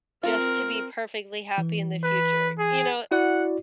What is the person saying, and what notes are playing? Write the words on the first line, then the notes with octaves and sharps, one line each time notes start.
just to be perfectly happy in the future?" You know?
C4 F4 A#4 F6
E3
B4
G#4
E4 F#4 D5 F#5